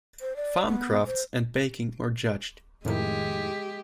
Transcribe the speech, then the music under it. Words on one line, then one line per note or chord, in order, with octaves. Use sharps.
Farm crafts and baking were judged.
C5
D5
B3
C5
F2 A2 D#3 G#3 G4